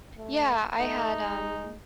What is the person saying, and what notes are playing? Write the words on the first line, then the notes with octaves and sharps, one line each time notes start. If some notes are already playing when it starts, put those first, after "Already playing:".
Yeah, I had, um,
A3
A3 D#4
G#3